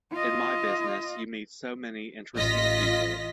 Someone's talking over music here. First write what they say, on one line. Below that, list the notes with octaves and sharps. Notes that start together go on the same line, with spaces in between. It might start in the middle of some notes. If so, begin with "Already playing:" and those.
In my business, you meet so many "interesting people".
F4 D#5
A1 F4 D#5 A#6 B6